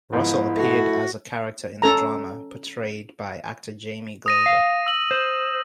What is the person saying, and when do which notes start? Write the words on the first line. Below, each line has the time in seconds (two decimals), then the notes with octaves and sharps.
Russell appeared as a character in the drama, portrayed by actor Jamie Glover.
0.12 G#2 F3 B3 E4
0.57 A3 F#4
1.82 C#4 A4 A#5
4.26 D#6 A#6 D#7
4.46 F5
4.86 E6 F#7
5.11 C5